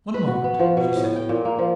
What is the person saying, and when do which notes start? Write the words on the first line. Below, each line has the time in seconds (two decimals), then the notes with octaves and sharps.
"One moment," she said.
0.14 B4
0.27 F#4
0.44 B3
0.59 F3
0.77 B2
0.96 A2
1.16 G5
1.29 A#2
1.45 A#3
1.59 F3